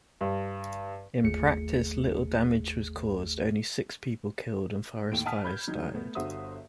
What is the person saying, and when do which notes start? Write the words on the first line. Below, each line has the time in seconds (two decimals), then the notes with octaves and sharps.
In practice little damage was caused, only six people killed and forest fires started.
0.21 G2
1.24 G1 D#2 A3 G#4 C#7
5.12 D#2 A2 D7
5.26 F#5 G#5 A5 D#6 F6 B6
5.44 B5 G6 G#6
5.67 D#3 F#3 D#4
5.94 A3 B3
6.15 G1 D3 F#4 C5 E5 D#6